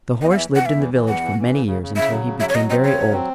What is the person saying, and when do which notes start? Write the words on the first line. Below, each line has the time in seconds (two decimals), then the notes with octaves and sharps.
The horse lived in the village for many years, until he became very old.
0.21 E2 D#5
0.31 F#5
0.36 E3 E5
0.50 E3
0.56 F#5
0.65 E2 E5
0.80 E3
0.94 E3
1.08 E2 F#5
1.23 E3
1.39 E3
1.53 C#3
1.67 C#3
1.82 C#3
1.96 C#3 E5
2.11 F#3
2.26 C#3
2.40 F#3 E5
2.49 C#5
2.54 F#3 D#5
2.69 C4 D#5
2.84 C#3 C#5
2.98 F#3
3.13 C4